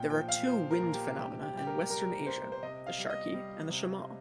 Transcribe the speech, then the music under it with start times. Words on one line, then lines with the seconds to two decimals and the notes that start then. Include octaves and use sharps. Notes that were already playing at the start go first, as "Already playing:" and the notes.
There are two wind phenomena in Western Asia: the "sharqi" and the "shamal".
Already playing: A#2 G5
0.10 F3 G5
0.29 F5
0.47 F3 C5
0.71 A#4
0.83 A#2
0.94 G4
1.18 C3 G4
1.42 G4
1.54 G3 G4
1.67 A#4
1.90 G3 A#4
2.26 C3 C5
2.52 C5
2.63 C3 D#5
2.86 F5
2.98 G3
3.10 D#5
3.34 G3
3.70 C3